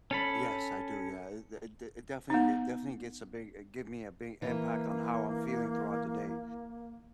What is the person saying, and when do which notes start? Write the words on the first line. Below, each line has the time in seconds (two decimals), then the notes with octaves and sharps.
Yes, I do, yeah, it it it definitely it definitely gets a big give me a big impact on how I'm feeling throughout the day,
0.11 C#4 A4 B5
2.30 B3 D#4
4.42 E3 A#3